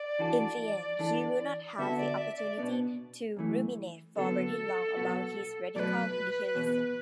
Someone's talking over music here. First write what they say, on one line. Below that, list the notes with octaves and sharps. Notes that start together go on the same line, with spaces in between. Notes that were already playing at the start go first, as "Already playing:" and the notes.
In the end, he will not have the opportunity to ruminate for very long about his radical nihilism.
Already playing: D5
E3 D4 F#4 A4
E3 D4 A4
D3 B3 F#4 A4 E5
D5
E5
D5
B2 B3 D4
F#2 E3 A3
D2 D3 F#3 B3 A4
B2 F#3 B3 F#4
B1 B2 F#3 A3 B4 D5
E2 B2 B3